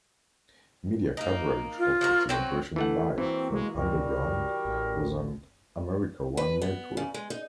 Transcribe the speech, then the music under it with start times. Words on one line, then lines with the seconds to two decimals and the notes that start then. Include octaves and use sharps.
Media coverage of the celebration live from Underground was on America One network.
1.17 A#3 D#4
1.79 F4
2.01 F3 F#4 A#4
2.29 F#3 C4 F#4 G5
2.76 E3 A3 F#5
3.18 E3 A#3 C4 F#4
3.53 G#3
3.75 C#2 G3 F#4 A#4
4.65 A1
6.37 B4
6.62 B3
6.97 C#3
7.14 G#3
7.30 D#4